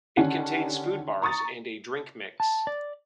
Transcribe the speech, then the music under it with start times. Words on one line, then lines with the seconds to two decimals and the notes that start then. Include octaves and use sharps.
It contains food bars and a drink mix.
0.17 D3 D#3 C#4 D4 G4 F#5
1.22 A#5 C#6 D#6 A6
2.40 A5
2.67 D5